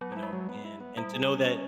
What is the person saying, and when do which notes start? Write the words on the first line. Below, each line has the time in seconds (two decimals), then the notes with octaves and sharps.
you know, and and to know that,
0.01 F#3 B3
0.12 G3
0.17 E4
0.23 G#3
0.33 F#3
0.49 B3
0.64 E4
0.80 B3
0.97 G3 E4
1.13 G#4
1.29 C#4
1.45 C#4